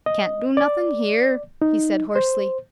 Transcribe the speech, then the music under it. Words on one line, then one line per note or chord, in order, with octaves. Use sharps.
"Can't do nothin' here," he said hoarsely.
D#5
D5
D#4
C5